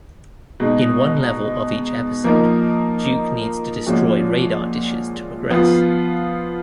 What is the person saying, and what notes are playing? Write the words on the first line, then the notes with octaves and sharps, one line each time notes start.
In one level of each episode Duke needs to destroy radar dishes to progress.
B2 G#3 D#4
F3 A#3 D#4 A#4
A#2 F3 G#3 C#4 F#4
F3 B3 F4